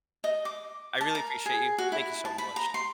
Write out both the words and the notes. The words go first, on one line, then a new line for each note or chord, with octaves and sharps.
I really appreciate you, thank you so much.
D#5
D6
A5
A#4
G#4
F#4
E4
A5
B5
A#5
C6